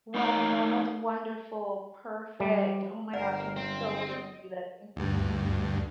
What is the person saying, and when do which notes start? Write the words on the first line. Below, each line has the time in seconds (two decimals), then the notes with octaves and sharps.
Wow, that's wonderful. Perfect. Oh my gosh, I'm so gonna do that. Thank you.
0.14 A3 D#4 A#4 C#5 F5
2.40 G3
3.13 G1 A#4 C5 D5 F#5
3.56 F#3 C4 C5
3.98 D#5
4.96 D2 G2